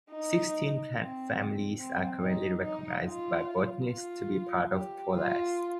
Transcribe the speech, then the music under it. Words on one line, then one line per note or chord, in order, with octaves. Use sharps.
Sixteen plant families are currently recognized by botanists to be part of Poales.
D#4
C4
C4
D#4
D#4
F4
F4
G4
F4